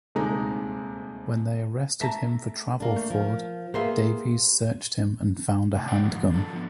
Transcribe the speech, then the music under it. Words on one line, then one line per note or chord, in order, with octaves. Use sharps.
When they arrested him for travel fraud, Davies searched him and found a handgun.
D#1 D2 C3 G#3 D#4 A#5
A3 E5 A5 A#5
A#3 D4
A3
F3 A#4
A#3 B3 G4 G#4 C5 E5
C3 A3
C#5 D5 F#5 G5
G#2 D#3 F3 F#3
F3 D4 A4
F3 B3